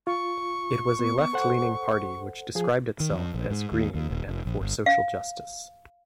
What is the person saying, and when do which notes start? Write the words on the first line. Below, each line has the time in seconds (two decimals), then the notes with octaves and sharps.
It was a left-leaning party which described itself as green and for social justice.
0.07 F4 C#6
0.99 B3
1.33 A4 C5 F#5
2.55 F3 G#4
3.00 D#3
3.11 F2
3.34 A#1
3.51 G#2
3.72 D#2
3.94 D#2
4.10 D#1
4.27 F1
4.46 A#1
4.61 G1
4.86 F5